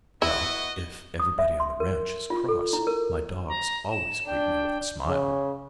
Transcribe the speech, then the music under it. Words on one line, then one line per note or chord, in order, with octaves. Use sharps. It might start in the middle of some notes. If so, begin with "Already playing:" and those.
"Well, if everybody on the ranch is cross, my dogs always greet me with a smile."
B3 E4 F#4 D#5
D#6
E5
C6
A#4
F4
A4
E4
A#4
A#5
E7
D4 G5
C#3